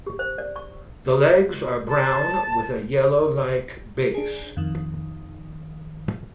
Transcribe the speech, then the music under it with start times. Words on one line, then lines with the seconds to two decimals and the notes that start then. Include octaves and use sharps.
The legs are brown with a yellow like base.
0.07 G4
0.19 C5
0.38 D5
0.56 C#6
1.89 A5
4.15 D4 G#4
4.57 F2 D#3